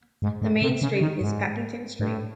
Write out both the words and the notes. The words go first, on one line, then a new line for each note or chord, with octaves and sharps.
The main street is Pakington Street.
G#2
A2
C3
C#3
D#3
G#2
A2